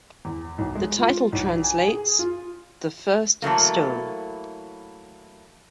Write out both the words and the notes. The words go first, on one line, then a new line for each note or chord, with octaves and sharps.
The title translates "The first stone".
E2
B1
G#3
F4
B1
G#5
G#4
F4
E3 F#3 A3 A#3